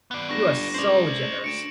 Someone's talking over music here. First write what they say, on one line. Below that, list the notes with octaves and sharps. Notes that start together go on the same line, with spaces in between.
You are so generous!
B3 D5
G1 C#6 A#6
C#2 C5 D5 F7 F#7
D2 C#7 D7 E7